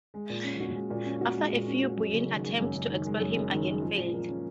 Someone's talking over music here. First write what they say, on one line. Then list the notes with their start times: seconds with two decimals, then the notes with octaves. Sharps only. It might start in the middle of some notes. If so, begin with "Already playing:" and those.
After a few Buyid attempts to expel him again failed.
0.14 G#3
0.30 A#2
0.44 C#4
0.60 F#4
0.75 G#3
0.90 A#2
1.06 C#4
1.21 F#4
1.37 G#3
1.53 A#2
1.67 C#4
1.83 F#4
1.98 F#2
2.14 F#1
2.29 D#3
2.44 G#3
2.60 F#2
2.75 F#1
2.90 D#3
3.06 G#3
3.21 F#2
3.36 F#1
3.52 D#3
3.67 G#3
3.82 F3
3.97 A#2
4.14 A#3
4.28 C#4